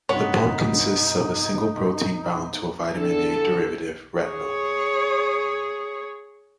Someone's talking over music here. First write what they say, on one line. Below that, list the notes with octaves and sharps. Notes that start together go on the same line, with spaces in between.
The pump consists of a single protein bound to a Vitamin A derivative, retinal.
G2 C3 B3 D#4 F4 C#5
D3 E3 A4
G#4 C#5